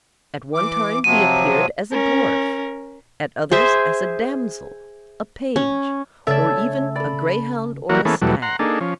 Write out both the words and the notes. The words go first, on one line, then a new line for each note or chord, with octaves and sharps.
At one time he appeared as a dwarf, at others as a damsel, a page, or even a greyhound or a stag.
E3 D6
C3 F3 F#3 D#7
C#4 A#4
G#4 C5 E5
C#4
C#3 A3 A4 C#5 D5 E5 A5
A4 D5 B5
E3 F#3 A#3 F#4 A#4
E3 A#3 B3 C#4 G#4 A4
E2 B2 F#3 G3 A3
F#5 A#5 C6
A#3 D4 D#4 G#4 A4
F3 C#4